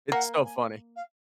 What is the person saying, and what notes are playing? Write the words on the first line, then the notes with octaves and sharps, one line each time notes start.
It's so funny.
A#3 F#5
G#5
F5